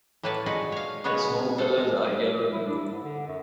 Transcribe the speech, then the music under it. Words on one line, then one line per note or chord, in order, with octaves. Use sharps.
Its home colors are yellow and blue.
A2 A#3 B4 C#5 A5
A#2 G#3 D#4 F#4 B4
C#5 F5
C#3 G#3 B3 F#4 B4 C#5
A4 C5 F#5
G#3
E4
D4
E4
G#2
D3
F#2